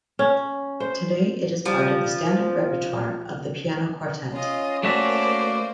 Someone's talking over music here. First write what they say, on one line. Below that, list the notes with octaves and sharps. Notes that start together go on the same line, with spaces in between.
Today it is part of the standard repertoire of the piano quartet.
C#4
C5
F3 G3
C5
C#4 F4 D#5
A3 A#3 F#4 C5 D5 E5